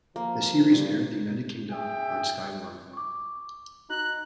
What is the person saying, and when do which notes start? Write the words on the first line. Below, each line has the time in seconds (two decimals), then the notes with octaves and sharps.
The series aired the United Kingdom on Sky One.
0.16 F3 A#3
0.67 G2
1.71 G#4 E5 G5
2.93 C#6 D6
3.90 D#4 F#4 F#6